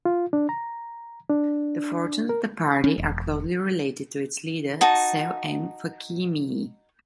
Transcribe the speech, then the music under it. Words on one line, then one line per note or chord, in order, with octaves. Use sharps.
The fortunes of the party are closely related to its leader Cehl M. Fakeemeeah.
F4
D4
A#5
D4
A#4
C#4
E1
D#4 F#4 A5